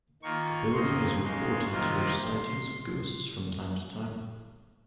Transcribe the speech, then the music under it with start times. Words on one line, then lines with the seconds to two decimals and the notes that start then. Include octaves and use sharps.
The building is reported to have sightings of ghosts from time to time.
0.22 D#3 A#3 F4 C#6
0.72 F2 D#3 A#3 D#4 C6
1.23 C#3 G#3 D#4
1.72 C3 D#3 A#3 F4 C6